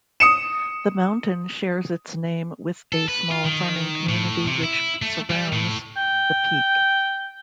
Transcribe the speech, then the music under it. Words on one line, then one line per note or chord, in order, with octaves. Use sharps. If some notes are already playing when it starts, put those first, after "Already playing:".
The mountain shares its name with a small farming community which surrounds the peak.
D#6 C#7 E7
A4
B4
F4
D#3
A2
C3
E4
A3
G3
A2
G5